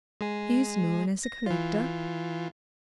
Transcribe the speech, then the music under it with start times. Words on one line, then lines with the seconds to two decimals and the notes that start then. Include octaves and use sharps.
"He is known as a collector?"
0.21 G#3 G#4
1.23 A#6
1.46 E3 F4